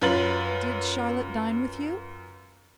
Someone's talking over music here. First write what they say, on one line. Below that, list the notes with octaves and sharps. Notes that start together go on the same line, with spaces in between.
"Did Charlotte dine with you?"
F#2 F4 B4 A6 F#7